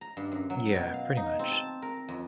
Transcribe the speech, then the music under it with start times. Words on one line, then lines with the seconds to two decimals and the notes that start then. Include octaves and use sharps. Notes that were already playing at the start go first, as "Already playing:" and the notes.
Yeah, pretty much.
0.01 A#5
0.17 G2
0.32 F#2
0.50 F#3
0.74 B2
0.94 F5
1.17 D#4
1.39 C4
1.51 A5
1.82 A#4
2.09 F2